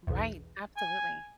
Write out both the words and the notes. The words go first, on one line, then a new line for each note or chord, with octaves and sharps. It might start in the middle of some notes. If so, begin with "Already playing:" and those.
Right. Absolutely.
B1 E2
G#5